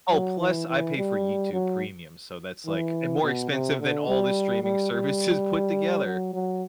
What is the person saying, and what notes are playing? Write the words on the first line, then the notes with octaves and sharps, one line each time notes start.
Oh, plus I pay for YouTube Premium, so that's, like, eh, more expensive than all the streaming services put together.
F#3
E3
E3
G3
F#3
E3
B2
C3
D3
G3
G3
G3
F#3
F#3